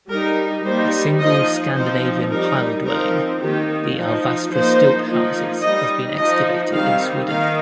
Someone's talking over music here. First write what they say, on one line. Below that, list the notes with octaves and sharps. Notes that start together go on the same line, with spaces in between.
A single Scandinavian pile dwelling, the Alvastra stilt houses, has been excavated in Sweden.
G3 D#4 A#4
G3 A#3 D#4 C5
F3 D#4 D#5
F3 C4 D#4 C5
G3 D#4 A#4
F3 C4 D#4 A#4
D#3 A#3 D#4 G4
F3 D#4
F3 A#3 D#4 C5
F3 A#3 D#4
G3 D#4 D#5
F3 D#4 D#5
D#3 G3 C4 D#4 F5
D#3 A#3 D#4 F5